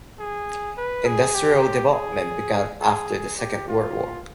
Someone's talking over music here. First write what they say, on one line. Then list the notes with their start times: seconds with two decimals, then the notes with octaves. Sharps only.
Industrial development began after the Second World War.
0.19 G#4
0.77 B4
1.06 G#4
1.35 G4
1.93 G#4
2.81 G#4
3.38 G4
3.68 F4